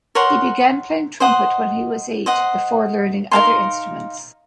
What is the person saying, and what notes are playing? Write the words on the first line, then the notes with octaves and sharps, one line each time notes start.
He began playing trumpet when he was eight, before learning other instruments.
A#4 C#5 F#5 C6
C5 D#5 F#5
C5 D#5 F#5
D#4 A#4 F5 C6